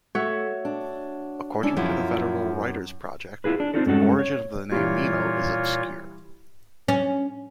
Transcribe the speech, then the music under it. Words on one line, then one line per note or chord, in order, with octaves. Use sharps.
According to the Federal Writers' Project, the origin of the name Nemo is obscure.
A3 F#4 C#5 E5
D4
C#4 D4 E4 D5
F#2 F3 E4 F4
E4 F4 G#4 B4
D4
C4 D4 D#4 F4 F#4 A4
G2 G#3 C#4 F#4 A4
C#5
A#2 E3 G3 F4 C#5
C#4